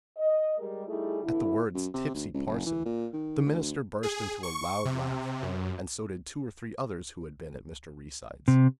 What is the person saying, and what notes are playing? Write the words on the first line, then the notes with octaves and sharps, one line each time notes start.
At the words "tipsy parson," the minister burst into a loud laugh, and so did two or three others who had been at Mr. Reeside's.
D#5
G3 G#3 A#4
G3 A3 D#4 E4 G#4
E2 A2 D3 E4
F#2
C3
D2
C#2
F#1
E3
A#2
D#3
D2
G#4
C#6
C3
F#2
C3